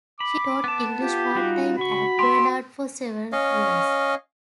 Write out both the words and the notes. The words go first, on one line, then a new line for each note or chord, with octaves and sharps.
She taught English part-time at Barnard for several years.
B5 D6
B3 A5
F4 G4
G3 D#4 F4 F#4
C#3 F#4 B5 C#6
G4 E5 C6
C#4 C#5 D#5 F5